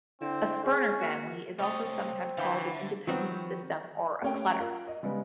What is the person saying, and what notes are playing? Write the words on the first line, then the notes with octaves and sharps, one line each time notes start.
A Sperner family is also sometimes called an independent system or a clutter.
D3 C4 E4
C#4 G#4
A#3 F#4
C2 A3 C4 C#5 D#5
D3 E3 F5 G5 B5
D#3 F3 F#3 B3 C4
A3 A#3 C#4 G4 G5
F4 A#4
D#5
C#3 G3 G#3 B3